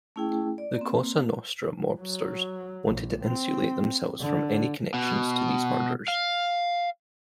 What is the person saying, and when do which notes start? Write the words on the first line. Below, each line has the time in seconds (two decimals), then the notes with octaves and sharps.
The Cosa Nostra mobsters wanted to insulate themselves from any connection to these murders.
0.16 A3 C#4 E4 G#4 G5
0.58 D5
0.78 A#3 C4
2.00 F#3
2.85 A#1
3.22 C4
4.20 D3
4.94 B2
6.08 F5